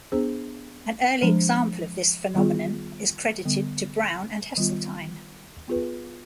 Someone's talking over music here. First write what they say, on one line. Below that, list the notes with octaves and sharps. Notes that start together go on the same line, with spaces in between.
An early example of this phenomenon is credited to Brown and Heseltine.
B3 D4 G#4 C5
F3 G#3 D4
D#3 G3 B3 F4 G#4
D3 G3 B3
D#3 G3 B3 F4
B3 F4 G#4 B4